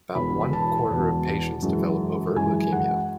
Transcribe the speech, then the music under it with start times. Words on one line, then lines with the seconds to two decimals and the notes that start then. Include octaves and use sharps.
About one quarter of patients develop overt leukemia.
0.15 E1 E2 B2 B5
0.41 B5
0.53 A5
0.89 E1 E2 B2
1.63 F#2 E3 G#3
2.36 F#2 E3 G#3 G#5
2.72 F#5